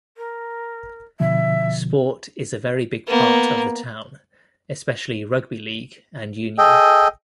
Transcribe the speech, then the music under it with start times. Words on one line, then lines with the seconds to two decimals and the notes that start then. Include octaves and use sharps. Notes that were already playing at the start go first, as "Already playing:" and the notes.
Sport is a very big part of the town, especially Rugby League and Union.
0.17 A#4
1.20 B2 D3 F3 E5
3.07 A#3 B3
6.58 G#4 A4 D#5 G5